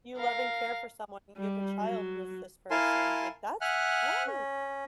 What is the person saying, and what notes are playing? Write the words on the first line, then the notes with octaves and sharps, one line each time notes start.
you love and care for someone and you have a child with this person, like, that's hard.
A#4 F5
G3
F#3
E4 A#4 F5 G#5 A5 C6
E5 F#5 G#5 F6 F#6
C#4